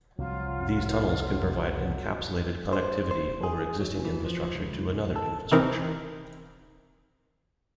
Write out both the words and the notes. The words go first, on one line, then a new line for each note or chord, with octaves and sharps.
These tunnels can provide encapsulated connectivity over existing infrastructure to another infrastructure.
C2 F3 F#3 F4
C5
C5
G#4
F#3
E3
F3
C#2
A4
C3 E3 C4 D#4 A#4